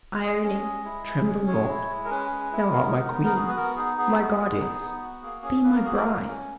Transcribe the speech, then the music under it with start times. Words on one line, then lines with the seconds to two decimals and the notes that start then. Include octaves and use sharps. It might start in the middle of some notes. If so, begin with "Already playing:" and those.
Ione, tremble not, thou art my queen--my goddess--be my bride!
0.23 G#3 D#5
0.44 C#4
0.64 G#3
0.85 E4
1.06 G#3
1.27 C#4
1.47 G#3 C#5
1.69 E4
1.90 G#3
2.05 A#4
2.11 C#4 B4
2.31 G#3
2.52 E4
2.72 B3 A#4
2.94 D#4
3.14 B3
3.25 A#4
3.35 F#4 G#4
3.48 B4
3.56 B3 A#4
3.76 D#4 G#4
3.98 B3 G#4
4.19 F#4
4.40 B3
4.60 D#4
4.81 B3
5.02 F#4
5.22 A#3 G#4
5.43 C#4 G#4
5.64 A#3 B4
5.74 A#4
5.84 F#4 G#4
5.97 A#4
6.06 A#3
6.27 C#4